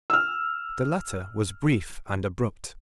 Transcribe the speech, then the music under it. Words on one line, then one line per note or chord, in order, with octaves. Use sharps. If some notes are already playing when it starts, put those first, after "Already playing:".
THE letter was brief and abrupt.
E6 F6